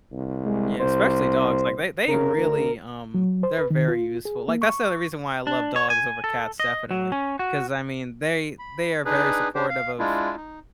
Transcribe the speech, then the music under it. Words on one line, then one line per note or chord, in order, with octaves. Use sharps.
Yeah, especially dogs, like, they they really, um, they're very useful. Like, that's the only reason why I love dogs over cats definitely, 'cause I mean, they, they are very supportive of
C2
G#3
C2 C5
C#3 A#4
D2
F#3
C5
B4
D#3
F4
G#4
A#3
C#6
D4
C#5
G#5
A4
D#5
F#3
C#4
F#4
B5
D4 D#4 G#4 B4
D4 G4 C5
F5
G#3 D4 E4 F4
D#4